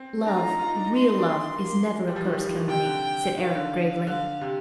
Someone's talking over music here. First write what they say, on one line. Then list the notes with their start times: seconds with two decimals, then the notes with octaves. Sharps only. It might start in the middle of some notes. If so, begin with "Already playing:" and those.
"Love--real love--is never a curse, Kilmeny," said Eric gravely.
Already playing: C4
0.25 D4 A#5
0.37 F4
0.48 D#4
0.59 F4
0.68 D#4
0.76 D4
0.85 D#4
0.95 C6
1.18 D4
1.29 D#4
1.40 D4
1.53 A#3
1.64 A#3
1.99 G#3
2.08 G3
2.16 F3
2.25 D#3
2.33 G3
2.45 F3
2.56 D#3
2.68 C3 G5
2.85 D3
3.38 D#3 F5
3.55 D3
4.07 D3 F5
4.41 C3